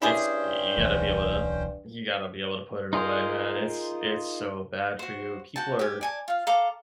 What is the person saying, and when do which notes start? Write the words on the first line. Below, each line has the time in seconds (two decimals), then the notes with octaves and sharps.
It's You gotta be able to You gotta be able to put it away, man, it's it's so bad for you. People are
0.02 G2 C#4 E4 G4 G#4 C5 G5
0.78 D1 B1 E3
2.93 D#4 F4 G#4 A#4 C5
4.99 F#4 C5
5.56 F#4 G5 A5
5.79 G4 G#5
6.01 D5 G#5 A5
6.28 F4 F5
6.47 A4 F5 A#5 D6